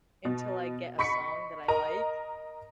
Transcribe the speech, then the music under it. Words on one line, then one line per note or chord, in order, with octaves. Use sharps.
until I get a song that I like
B2
D#5 B5 C#6 B6 C#7
A#4 D#5 A#5